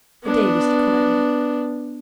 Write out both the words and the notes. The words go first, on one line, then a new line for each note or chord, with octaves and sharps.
The day was declining.
B3 D4